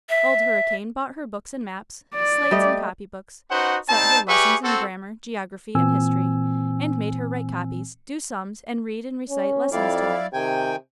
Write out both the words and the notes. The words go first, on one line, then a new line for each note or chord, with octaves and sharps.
Old Hurricane bought her books and maps, slates and copy-books, set her lessons in grammar, geography and history, and made her write copies, do sums and read and recite lessons to him.
E5
D5
G3 A3 D#5
C#4 D#4 F#4 B4 C5 F#5
G3 C4 D#4 A5
G3 G4 G#4 B4 E5 C#6
C4 F#4 A4
A#2 E3 C4 G#5 E6
C#4
F2 E4 D5 F5
C3 D#3 G5 G#5